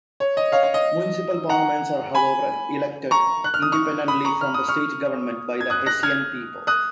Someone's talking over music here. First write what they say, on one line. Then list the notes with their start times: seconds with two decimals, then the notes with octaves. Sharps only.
Municipal parliaments are, however, elected independently from the state government by the Hessian people.
0.20 C#5
0.37 D#5
0.52 C#5 F5
0.63 C#5 F5
0.74 D#5
1.49 F#5 A#5
2.15 G#5 B5
3.11 A#5 C#6
3.44 F#6
3.54 F6
3.62 D#6
3.72 C#6 F6
4.08 B5 D#6
4.25 A#5 C#6
4.41 F6
4.54 D#6
4.68 C#6 F6
5.61 G#6
5.70 D#6 F#6
5.86 F#6 A#6
6.03 F6 G#6
6.67 D#6 F#6